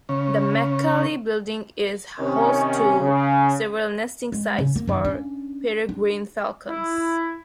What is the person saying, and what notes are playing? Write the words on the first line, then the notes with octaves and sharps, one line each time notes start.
The Mack-Cali building is host to several nesting sites for peregrine falcons.
C#3
C3 D#3 C#4
C#3
G#3
C#3
A#3
F#2 D#3
C#4 D4
D4
E4